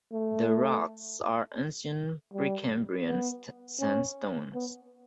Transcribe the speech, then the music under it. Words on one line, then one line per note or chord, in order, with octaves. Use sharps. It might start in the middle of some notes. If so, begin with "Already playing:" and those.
The rocks are ancient Precambrian sandstones.
A3
G3
B3
C#4
B3